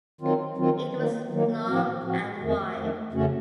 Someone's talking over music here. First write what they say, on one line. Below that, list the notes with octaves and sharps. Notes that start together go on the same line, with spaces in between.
It was long and wide.
D#3 F#3 C4 F4
D#3 F#3 C4 F4
D#3 F#3 A#3
D#3 F#3 A#3
A2 F3 C4 F#4
A2 F3 C4 F#4
F2 D#3 A3
F2 D#3 A3
F2 C#3 A3 C#4 F#4